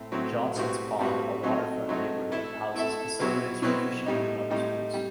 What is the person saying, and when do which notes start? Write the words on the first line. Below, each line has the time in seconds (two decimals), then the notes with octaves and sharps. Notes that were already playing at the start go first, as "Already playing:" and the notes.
Johnson's Pond, a waterfront neighborhood, houses facilities for fishing and watersports.
Already playing: A2 C4
0.12 A2 F#3 C4
0.56 A2 G3 C4 F#4 B4
0.99 A2 G3 C4 F#4 B4
1.43 C3 F#3 A3 D#4
1.87 C3 F#3 A3 D#4
2.32 A3 E4 A4 E5
2.75 A3 E4 A4 E5
3.19 B2 F#3 C4 E4 B4
3.62 B2 F#3 C4 E4 B4
4.06 A2 G3 D#4
4.50 A2 G3 D#4
4.94 G3